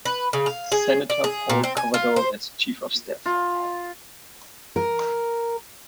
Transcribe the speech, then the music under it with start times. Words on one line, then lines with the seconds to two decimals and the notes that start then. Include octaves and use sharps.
Senator Paul Coverdell as Chief of Staff.
0.05 B4
0.33 C#3
0.46 F5
0.72 G#4
1.10 D5
1.24 G#4
1.49 A#2
1.64 C4
1.77 G#5
1.94 F4
2.16 C5
3.26 F4
4.76 A#4